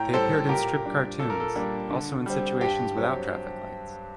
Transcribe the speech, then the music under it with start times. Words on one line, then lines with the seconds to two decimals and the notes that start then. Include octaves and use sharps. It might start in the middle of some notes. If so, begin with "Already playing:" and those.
They appeared in strip cartoons, also in situations without traffic lights.
Already playing: A2 G5 A#5
0.13 G3 C4 A4 C5
0.49 A#2 G4 A#4
0.84 G3 D4
1.19 A#2 A4
1.30 A#4
1.40 A4
1.55 G3 A#3 D4
1.90 D3
2.26 G3 C4
2.61 G2 G4
2.97 F#3 C4